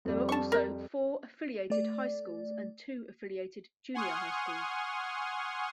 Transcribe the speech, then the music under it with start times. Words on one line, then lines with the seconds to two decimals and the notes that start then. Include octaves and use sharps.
There are also four affiliated high schools and two affiliated junior high schools.
0.05 F2 G3
0.29 A5 C#6
0.52 A#4
1.70 A3 D5
3.94 F#5 G#5 C6 C#6 D#6 F6